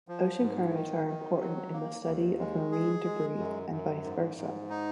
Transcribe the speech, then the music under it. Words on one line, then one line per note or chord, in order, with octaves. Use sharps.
Ocean currents are important in the study of marine debris, and vice versa.
F3
G#2
D#3
D#3
F#3
A#3
D#2
G#3
G#4
G#3
F#2
F#2
G#2
G#2
D#4